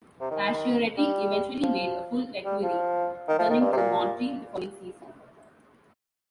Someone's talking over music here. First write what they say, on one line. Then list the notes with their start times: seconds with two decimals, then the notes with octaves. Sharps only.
Pacioretty eventually made a full recovery, returning to Montreal the following season.
0.20 C3
0.31 D#3
0.97 G3
1.63 F3
2.45 G3
2.63 F3
3.28 D#3
3.38 F3
3.50 D#3
3.60 G2
3.72 C3
3.77 A#2